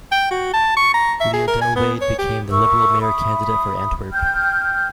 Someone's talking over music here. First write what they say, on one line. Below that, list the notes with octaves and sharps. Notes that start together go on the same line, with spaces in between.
Leo Delwaide became the liberal mayor candidate for Antwerp.
G5
F#4
A5
C#6
A#5
E5
G#4
A#4
G#5
B3
C#5
G4
A#4 E5 C#6 E6
E5 B5 D#6
G5 F6 G6